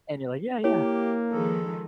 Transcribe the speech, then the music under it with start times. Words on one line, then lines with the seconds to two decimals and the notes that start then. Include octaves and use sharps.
and you're like, "Yeah, yeah,
0.64 A#3 E4 G4 C#5
1.31 D#3 F3 G#3 A4